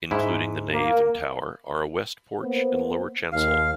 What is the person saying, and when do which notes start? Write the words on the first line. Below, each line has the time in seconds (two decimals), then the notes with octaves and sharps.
Including the nave and tower are a west porch and lower chancel.
0.11 G#2 E4
0.73 A#3
2.42 A#3 B3 C5
3.32 D#2 F5